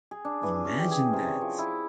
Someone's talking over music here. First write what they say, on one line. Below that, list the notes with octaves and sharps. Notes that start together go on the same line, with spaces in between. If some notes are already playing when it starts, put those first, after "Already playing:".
Imagine That!
G#4
D4
E3
C#4
G4
G#4
C3
C#5
F3
E4